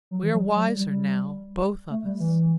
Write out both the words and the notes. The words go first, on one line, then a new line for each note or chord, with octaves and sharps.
We are wiser now both of us.
F#3
E3
F#3
G3
F#3
G3
G3
G3
A3
G3
E3